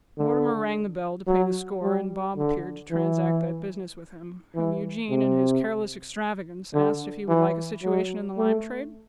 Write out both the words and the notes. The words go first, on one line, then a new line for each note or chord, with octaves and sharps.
Mortimer rang the bell to pay the score, and Bob appeared to transact that business with him: whom Eugene, in his careless extravagance, asked if he would like a situation in the lime-trade?
D3
F#3
G3
D3
E3
E3
C3
D3
E3
F#3
A3